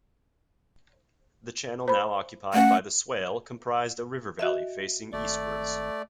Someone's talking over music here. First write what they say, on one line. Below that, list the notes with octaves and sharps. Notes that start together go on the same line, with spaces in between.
The channel now occupied by the Swale comprised a river valley facing eastwards.
C5 B5
A3 C#4 F#5
F#4 D#5 E5
G#1 A3 D5